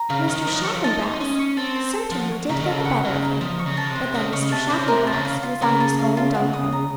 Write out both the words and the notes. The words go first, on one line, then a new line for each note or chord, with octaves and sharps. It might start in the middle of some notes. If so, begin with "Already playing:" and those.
Mr. Chaffanbrass certainly did get the better of him; but then Mr. Chaffanbrass was on his own dunghill.
Already playing: A#5
C#3 F5
D#3 D#4
F3 D#5
F#3
F3
F#3 C#6
F3
D#4 A5
C5
C#4 D#5
C#6
C4 A5
C5
A4
F3 F#5
C#5
C#3 D#4
D#3
C#3 A4
F#5
C#3 C#5
D#4
F3 D#5
C#6
C#3
A5
C3
C5
C#3 D#5
C#3 C#6
C3 A5
C#3 C5
C3 A#4
A5
C#3
F5
F4
C#3 A#4
A5
F5
F4
F#5
D#6
A#5